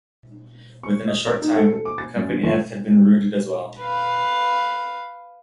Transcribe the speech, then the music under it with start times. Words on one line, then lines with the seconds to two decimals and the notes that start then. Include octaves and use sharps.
Within a short time, Company F had been routed as well.
0.83 C#6
1.08 D#5
1.26 A#4
1.42 D#4
1.56 A4
1.73 A4
1.85 D6
1.98 A6
2.16 F#2
2.29 D3
2.43 G1
3.81 B4 F5